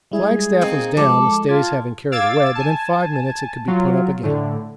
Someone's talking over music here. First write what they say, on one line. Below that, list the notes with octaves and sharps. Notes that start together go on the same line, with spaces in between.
The flagstaff was down, the stays having carried away, but in five minutes it could be put up again.
G3 G#3 E4 G#4
A#3 C4 D#4
F3 G#3 A4 D6
F4 D6 G#6 A6
F5 D6 E6 G#6 A6
G#5 A5
F#3 F4
A2 D3